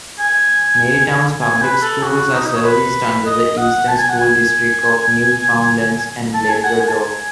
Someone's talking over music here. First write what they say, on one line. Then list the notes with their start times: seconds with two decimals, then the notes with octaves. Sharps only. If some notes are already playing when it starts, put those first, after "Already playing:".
Marystown's public schools are serviced under the Eastern School District of Newfoundland and Labrador.
0.19 G#5
1.41 G#5
1.62 B4
1.82 A4
2.03 F#4
2.33 D#4
2.47 D#5
2.56 C#5
2.65 B4
3.26 D#5
3.57 F#5
3.88 A5
3.98 G#5
4.09 F#5
4.19 G#5
6.34 A5
6.49 G#5
6.64 F#5
6.80 G#5
6.88 A5
6.95 G#5